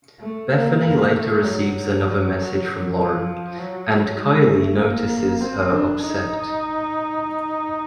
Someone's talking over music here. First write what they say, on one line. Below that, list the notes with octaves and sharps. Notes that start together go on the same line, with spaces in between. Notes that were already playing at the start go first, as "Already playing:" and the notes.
Bethany later receives another message from Lauren and Kylie notices her upset.
A3
A#3
A#3
A3
F#3
F3
F#3
G#3
A3
A#3
C4
D4
D#4